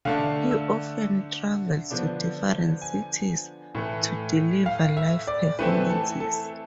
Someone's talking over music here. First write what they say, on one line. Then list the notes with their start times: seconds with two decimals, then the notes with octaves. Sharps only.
He often travels to different cities to deliver live performances.
0.05 D3 A3 D4 F5
0.51 E6
1.91 D3 F3 B3 D4
2.82 G#5
3.75 A2 E3 A3
4.66 F5
4.97 E5
5.27 D5
5.59 E3 A3 C4 E4 B4
5.90 A4
6.20 A4